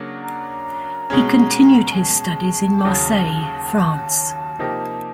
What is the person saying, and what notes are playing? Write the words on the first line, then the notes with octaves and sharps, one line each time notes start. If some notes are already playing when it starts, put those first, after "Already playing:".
He continued his studies in Marseille, France.
Already playing: C#3 F#3 A#3 D4
A#5
B2 G#3 C#4
G#5
A5
D#2 C#3 F#3
C3 F3 A#3 D#4 G4